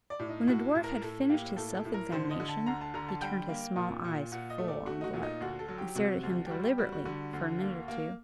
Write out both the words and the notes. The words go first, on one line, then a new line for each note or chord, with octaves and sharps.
When the dwarf had finished his self-examination, he turned his small eyes full on Gluck, and stared at him deliberately for a minute or two.
D5
A2
D#4
A2 F#4
A2
A#4
A2 A4
A#3 G4
A2 A4
A4
A2
A#4
D3 C5
D#5
D3
A5
D2 A#5
A5
D3 A#5
A5
G3 G5
A#3
A#2
A#2
A#2 F#5
D#5
A3
D5
A3 F#4
D#4
F#4
A#2
D#4
D2 F#4
A4
F#3
G4
C3 F#4
D2
G4
G3 F#4
G4
G3 F#4
F#4
D3 F#4
D2
A#3
A#3